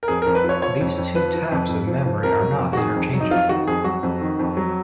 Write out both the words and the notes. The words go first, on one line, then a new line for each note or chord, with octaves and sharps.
These two types of memory are not interchangeable.
A#4
F2 G#4
F2 A#4
B4
F3
C#5
F3 C#5
F2
F2
F3 B4
F3
F2
F2
F3
F3
F2 A#4
F#3
F2
F#4
D#3 G#4
F2
F#3
D#4
F2 F4
D#3 F#4
F2 G#4
F#3 F#4
F2
D#3
F2
F#3